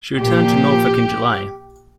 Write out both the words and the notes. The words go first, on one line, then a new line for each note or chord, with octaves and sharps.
She returned to Norfolk in July.
A#2 F3 G4